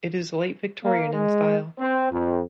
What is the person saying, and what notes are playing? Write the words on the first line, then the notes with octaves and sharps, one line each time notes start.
It is Late Victorian in style.
A#3
G#3
C4
F2